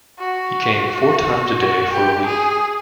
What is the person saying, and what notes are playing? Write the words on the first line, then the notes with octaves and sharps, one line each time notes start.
He came four times a day for a week.
F#4
F#4
G4
G#4